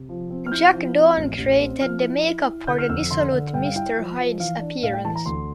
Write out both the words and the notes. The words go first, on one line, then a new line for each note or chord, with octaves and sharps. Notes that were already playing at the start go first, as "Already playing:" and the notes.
Jack Dawn created the make-up for the dissolute Mr. Hyde's appearance.
Already playing: C3
F3
C4
F6
E4 G6
F3
C4
A1
A1
C4
F3 F6
E4
E4
E4
D3 G6
F6
F2 E6
D3 C6
D3
G2 G5
F5
E4 G5
F3
F3
E3 F5
D4
A2 F5
G5
E3 A5
A#5
D2 C6